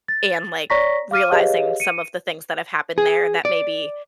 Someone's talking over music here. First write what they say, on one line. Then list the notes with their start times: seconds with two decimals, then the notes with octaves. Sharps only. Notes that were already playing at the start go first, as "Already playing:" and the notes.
and, like, realizing some of the things that have happened there that maybe
0.08 A6
0.70 C#5 D5 A#5 C#6 A#6 B6
1.11 F5 D6 F6 D#7
1.32 G4 G#4 B4 C#5 D#5 F5
1.80 C#7 D#7
2.98 G#4
3.45 D5